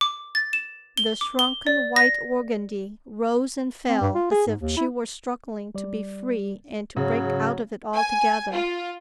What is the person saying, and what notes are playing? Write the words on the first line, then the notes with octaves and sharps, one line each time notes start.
The shrunken white organdie rose and fell as if she were struggling to be free and to break out of it altogether.
D6
A6
E7
G7
D6
G7
D5
A#6
C4
G2
F4
G#4
G#2
D#2
E4
G3 D5
G#2 C#3 F#3
G#5
F4